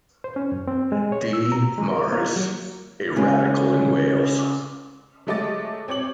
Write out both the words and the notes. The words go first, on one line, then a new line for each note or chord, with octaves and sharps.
D. Mares: A Radical in Wales.
C5
C#4
F#2
C4
G#3
C#5
E6
A#5
G#3
A#4
A#3
F#3
C#3 G#3 A#3 C#4
F#3 G#3 A3 D#5 D6 A6
C4 C#5 D6 F#7